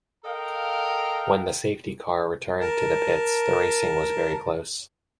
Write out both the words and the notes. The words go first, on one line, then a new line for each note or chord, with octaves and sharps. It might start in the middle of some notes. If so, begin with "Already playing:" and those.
When the safety car returned to the pits the racing was very close.
A4 A#4 D#5 F5 G5 A#5
A#4 A5